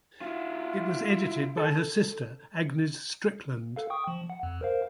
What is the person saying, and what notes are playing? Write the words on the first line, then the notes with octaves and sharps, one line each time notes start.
It was edited by her sister Agnes Strickland.
E4 F4
A4
A4 F5
G5 C#6 D#6
F3
F#5
F2
A#4 C5 F5